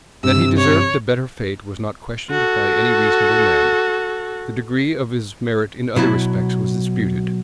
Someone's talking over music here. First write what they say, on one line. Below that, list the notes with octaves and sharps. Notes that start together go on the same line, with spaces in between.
That he deserved a better fate was not questioned by any reasonable man: the degree of his merit in other respects was disputed.
G2 C3 E6
C#5
F#4 A4
B2 F#3 E4 A5